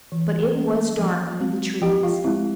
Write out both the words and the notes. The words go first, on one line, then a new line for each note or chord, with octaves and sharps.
But it was dark under the trees.
E3
A#3 C#4
F3
G#3 C4
F3 G4 G5
F4 F5
G#3 C4 E4 E5